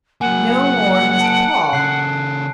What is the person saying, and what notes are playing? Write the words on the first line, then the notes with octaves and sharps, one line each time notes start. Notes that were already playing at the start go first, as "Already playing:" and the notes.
No more must Paul.
F#3 A#3 F#5 G#5
A5 D7
C#3 A4 F#6 C7